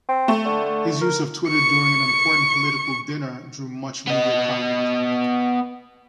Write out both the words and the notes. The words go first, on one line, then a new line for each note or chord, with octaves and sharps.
His use of Twitter during an important political dinner drew much media comment.
C4
A3
D3
A#4
C#6 C#7
B3 D#5